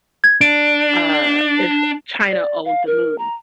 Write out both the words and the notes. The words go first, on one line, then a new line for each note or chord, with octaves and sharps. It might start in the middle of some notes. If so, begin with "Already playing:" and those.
uh, if China owned the moon,
G#6
D4 D7
D5
F5
A#4
A#5